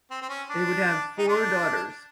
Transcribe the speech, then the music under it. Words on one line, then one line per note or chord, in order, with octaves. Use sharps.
They would have four daughters.
C4
C4
C#4
D4
D#4
D4